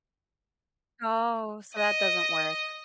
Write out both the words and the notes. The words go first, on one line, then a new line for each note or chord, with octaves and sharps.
Oh, so that doesn't work,
D#5